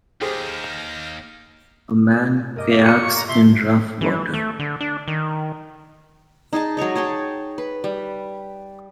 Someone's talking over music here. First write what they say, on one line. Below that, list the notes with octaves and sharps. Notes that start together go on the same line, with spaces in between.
A man kayaks in rough water.
D#2 G4 G#4 C5 F6 G6 A#6
G2 A#4 D#5 D6
A#3 E5
C#7
C#6
A#5
C3 A4 E5 C6
E3
A3
D3
D4
D#3
D#4 G#4 D#5 A5
F#3 G#3 C#5 D#5
G#4 C#5 G5 A5
B4
G3